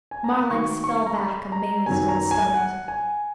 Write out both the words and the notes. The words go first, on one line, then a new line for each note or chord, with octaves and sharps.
Marlanx fell back amazed and stunned.
G#5
A#5
B5
D#3 F#3 B3 C#6
C#6
A#5
B5
A#5
F#2 D#3 F#3 B3 G#5
A#5
G#5
G#5
F#5
G#5